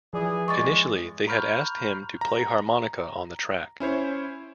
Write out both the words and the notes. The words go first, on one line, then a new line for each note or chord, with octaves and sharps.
Initially they had asked him to play harmonica on the track.
E3 F3 G#4 D5
E3 G#3 C#6 D6 A6
A#5 B5 C#6 F6 G6 F7
A#5
C#4 E4 C5 C#5